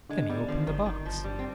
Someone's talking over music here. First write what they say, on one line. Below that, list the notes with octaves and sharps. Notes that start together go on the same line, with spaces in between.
Then he opened the box.
D3 G#3
G3 B3
D3 F3
G1 D#3
G1 D#3
G1 F3
G2 G3
C4